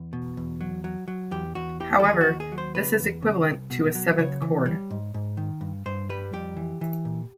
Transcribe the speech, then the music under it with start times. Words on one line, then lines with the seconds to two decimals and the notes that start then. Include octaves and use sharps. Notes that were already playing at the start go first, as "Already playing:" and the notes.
However, this is equivalent to a seventh chord.
Already playing: E2
0.13 B2
0.37 E2
0.61 F#3
0.84 F#3
1.08 F#3
1.31 E2 G4
1.55 E2 F#4
1.80 E3 G4
2.00 A4
2.03 D#2 G#4
2.21 F#4
2.27 D#2
2.40 G#4
2.52 F#3
2.58 C5
2.75 C#3 B4
3.00 E2
3.22 C#3
3.47 C2
3.70 B2
3.95 F#3
4.18 C#3 C#5
4.42 E3
4.66 G3
4.90 G#2
5.14 G#2
5.37 D#3
5.61 G2
5.86 G2 C5
6.09 G3 B4
6.33 F2 G4
6.57 E3
6.81 E3
7.05 A#2